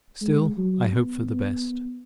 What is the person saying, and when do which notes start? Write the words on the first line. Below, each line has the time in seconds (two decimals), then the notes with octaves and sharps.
Still I hope for the best.
0.21 G#3
0.57 F#3
0.92 B3
1.28 B3